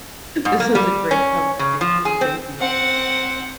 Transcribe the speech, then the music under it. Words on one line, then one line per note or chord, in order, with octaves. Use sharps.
this is a great conversation. Thank you.
G#2
A#3
G3
C#4
C#3
F3
G#4
C4
C4 F#5